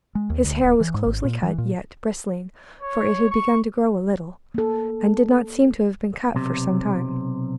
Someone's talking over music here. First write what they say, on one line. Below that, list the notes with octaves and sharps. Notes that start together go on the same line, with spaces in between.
His hair was closely cut, yet bristling, for it had begun to grow a little, and did not seem to have been cut for some time.
G#3
D#2
D2
D1
E3
G#2
G#1
A#2
E3
A#2
C#5
C#6
A#3 A4
B1 C3